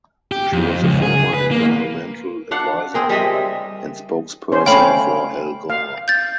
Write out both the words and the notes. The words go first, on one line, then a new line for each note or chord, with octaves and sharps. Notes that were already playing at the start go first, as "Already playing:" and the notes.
She was the former environmental adviser and spokesperson for Al Gore.
G4
F2
C#2
G#4
B4
A#3
D4 F5 F#5
C4 G#4 A#4
G3 G#3 D#5 E5
C#4 C5
A3 C#4 F5 G5 B5
F5
G6 A6